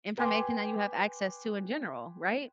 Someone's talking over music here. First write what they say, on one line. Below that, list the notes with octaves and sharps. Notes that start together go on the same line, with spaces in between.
information that you have access to in general, right?
B4 G5 G#5 C6 D6